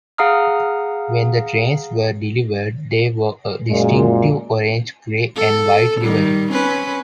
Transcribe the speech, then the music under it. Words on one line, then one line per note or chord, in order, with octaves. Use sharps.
When the trains were delivered they wore a distinctive orange, grey, and white livery.
G#4 F5 F#5 A#5 D#6 F6
F#2 A#2 G#3
A4
D#3 G3
C4 C#4 B4